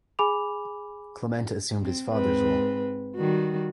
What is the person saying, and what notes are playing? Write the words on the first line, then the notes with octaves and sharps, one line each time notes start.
Clement assumed his father's role.
G#4 G#5 B5 D6 F7
C4
G#2 C4 B4
D#3 G3 F#4